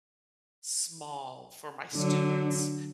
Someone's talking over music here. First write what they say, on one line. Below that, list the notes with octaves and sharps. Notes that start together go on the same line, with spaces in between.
small for my students,
D3 F#3 D4